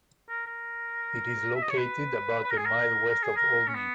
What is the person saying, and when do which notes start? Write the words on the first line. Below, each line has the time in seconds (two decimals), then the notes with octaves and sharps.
It is located about a mile west of Olney.
0.29 A#4
0.46 A#4
1.55 E5
1.62 D#5
1.70 C#5
1.77 B4
2.43 B4
2.50 A#4
2.57 G#4
2.65 A#4
3.09 A#4
3.23 G#4
3.36 A#4
3.68 C#4
3.75 B3